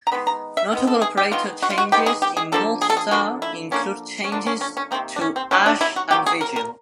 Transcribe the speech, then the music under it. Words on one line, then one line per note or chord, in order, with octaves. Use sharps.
Notable operator changes in "North Star" include changes to Ash and Vigil.
A#5
D#3 G#3 B3 B5
A#5
E5
D#3 G#3 B3
A4
G#4
G4
D#3 G#3 B3 F4
F#4
F4
F#4
D#3 G#3 B3 G4
G#4
G4
G#4
D3 F3 A#3 A4
G#4
A4
G#4
D3 F3 A#3 F#4
E4
D3 F3 A#3 C#4
C#4
D3 F3 A#3 D4
C#4
C#4
C#4
C3 D#3 F#3 A#3 C4
D4
C#4
C4
C3 D#3 F#3 A#3 C#4
D4
E4
F#4
C3 D#3 F#3 A#3 G4
G#4
A#4
A#4